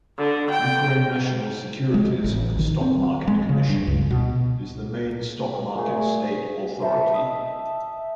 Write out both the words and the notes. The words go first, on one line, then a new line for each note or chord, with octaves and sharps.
Ukraine National Securities and Stock Market Commission is the main stock market state authority.
D3
G5
G#3
A1
D#3
C4
G#3
C#3
G2
C#2
B2
A#2 A3 G#4
E4 G5 A5
D#5 E5